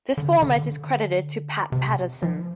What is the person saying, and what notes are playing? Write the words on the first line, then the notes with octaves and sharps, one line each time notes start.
This format is credited to Pat Patterson.
D3
C3
D3
D#3
D3
C3
F3